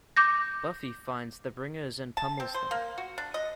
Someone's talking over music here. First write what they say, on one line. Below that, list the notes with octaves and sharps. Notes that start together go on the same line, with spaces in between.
Buffy finds the Bringers and pummels them.
D6 G6 A#6
A5
C4
C5
A#3
F#4
D4
D#5